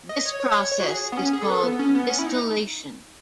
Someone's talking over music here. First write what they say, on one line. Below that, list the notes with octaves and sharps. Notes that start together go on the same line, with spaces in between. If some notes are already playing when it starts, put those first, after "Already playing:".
This process is called distillation.
D#5
C#5
C#5
C#5
F#4
G#4
B3
C#4
G#4
A4
B4
A4
B3
C#4
B3
C#4
E4
D#4